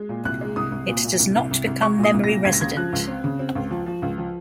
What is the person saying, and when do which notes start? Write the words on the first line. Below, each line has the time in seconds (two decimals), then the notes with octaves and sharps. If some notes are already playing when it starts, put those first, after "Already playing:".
It does not become memory resident.
Already playing: G#3
0.09 A#2
0.25 C2 F#6
0.41 G#3
0.56 C2 D#6
0.72 C2
0.88 A#2
1.04 A#2
1.19 C2
1.35 C2
1.51 C2
1.67 C2
1.82 G#3 C#6
1.98 A#2
2.03 D#6
2.14 C2
2.24 A#6
2.29 A#2
2.45 C#2 G#6
2.53 A#6
2.61 C#3 G#6
2.77 F3 F#6
2.93 C#2
3.08 C4
3.24 C#3
3.39 C4
3.55 C#2
3.71 F3
3.86 F3
4.02 C#2
4.18 F3